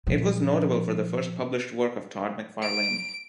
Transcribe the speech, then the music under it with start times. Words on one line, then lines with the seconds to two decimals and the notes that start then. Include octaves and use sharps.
It was notable for the first published work of Todd McFarlane.
0.07 A#2 F3
2.62 D7